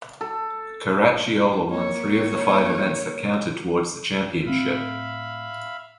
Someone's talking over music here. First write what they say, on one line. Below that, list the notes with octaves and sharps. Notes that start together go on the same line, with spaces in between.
Caracciola won three of the five events that counted towards the championship.
A4
A#3 C#5
A2 B3 C4 E5 F5 B5